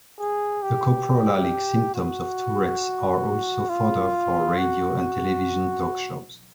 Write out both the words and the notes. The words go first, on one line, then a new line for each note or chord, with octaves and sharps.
The coprolalic symptoms of Tourette's are also fodder for radio and television talk shows.
G#4
G4
F#4
F4
F#4